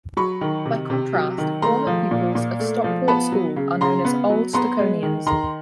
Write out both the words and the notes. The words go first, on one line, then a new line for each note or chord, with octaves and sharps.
By contrast, former pupils of Stockport School are known as Old Stoconians.
F#3 B5 C#6
D#3
C3
C3
F#3
D#3
A3 A#5 C6
F3
A#2
A#2
A3
F3
B3 A5 B5
F#3
C#3
C#3 A#5 C6
B3
F#3
B3 A#5 C6
G#3
D#3
D#3 A#5 C6